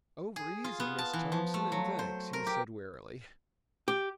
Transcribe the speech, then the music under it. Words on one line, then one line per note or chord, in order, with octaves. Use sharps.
"Over easy, Mrs. Thompson and thanks," he said wearily.
G#4
F4
B3
A5
E3
F3
A3
F#3
C5
A#4
G4
G4